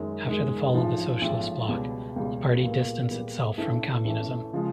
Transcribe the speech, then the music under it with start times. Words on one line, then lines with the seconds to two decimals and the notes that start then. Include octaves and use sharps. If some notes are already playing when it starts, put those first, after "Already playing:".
After the fall of the Socialist Bloc, the party distanced itself from communism.
Already playing: F#2 D#3 G#3
0.28 F#2 D#3 G#3
0.74 A1 G#2 F3
1.21 A1 G#2 F3
1.68 C#2 B2 G3
2.16 C#2 B2 G3
2.63 A#2 G3 B3
3.10 A#2 G3 B3
3.58 A1 G2 E3 A3 C#4
4.04 A1 G2 E3 A3 C#4
4.53 C#3 F3 G#3